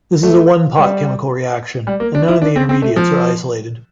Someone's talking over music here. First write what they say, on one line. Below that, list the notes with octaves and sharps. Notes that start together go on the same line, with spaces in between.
This is a one-pot chemical reaction, and none of the intermediates are isolated.
A3
G3
G3
A#3
D4
E4
D4
C4
C4
A3
F3